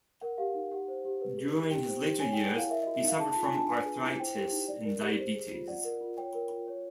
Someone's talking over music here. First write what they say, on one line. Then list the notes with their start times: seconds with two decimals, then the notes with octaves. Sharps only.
During his later years, he suffered from arthritis and diabetes.
0.21 A#4 F#5
0.38 G4 F5
0.55 D#4
0.71 G4 F#5
0.88 C5
1.05 G4
1.21 B4
1.38 G#4
1.54 D#4
1.70 G4 G5
1.88 C5
2.03 G4
2.20 C#5 G#5
2.33 G5
2.37 G#4
2.45 F#5
2.54 E4 F5
2.69 A#4 E5
2.83 D#5
2.87 F#4
2.95 E5
3.03 D#4 F5
3.19 G#4 A5
3.32 A5
3.36 F4
3.45 G#5
3.52 D4 A5
3.69 B4 G#5
3.85 G#4
4.02 E4
4.20 C5 G5
4.36 G4
4.52 D#4
4.68 D5
4.85 A#4
5.02 G4
5.19 C5
5.35 G#4
5.52 F4
5.68 D5 F#5
5.84 A#4
6.01 F4
6.17 C#5 G5
6.35 A#4
6.50 F4
6.67 C#5